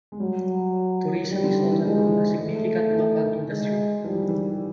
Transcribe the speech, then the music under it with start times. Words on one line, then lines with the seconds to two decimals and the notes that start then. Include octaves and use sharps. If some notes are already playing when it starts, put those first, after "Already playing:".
Tourism is also a significant local industry.
0.12 G#3
0.20 F#3 G3
1.30 D#3 G3
1.44 D3
1.57 D#3
1.71 E3
1.85 F3 G#3
1.94 E3
2.04 F3
2.40 A3
2.90 D#3
2.95 E3
3.50 G#3
4.04 F3 G3
4.12 E3
4.21 D#3
4.29 E3